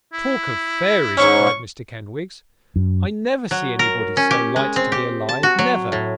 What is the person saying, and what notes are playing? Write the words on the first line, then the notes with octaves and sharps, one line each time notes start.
'Talk of fairies!' cried Mr Kenwigs 'I never see anybody so light to be alive, never.
E4
G#2 C#4 C#6
F#2
F#3
A#4
C#4
G4
G#3
C4
G4
A5
F#4
F#3
A2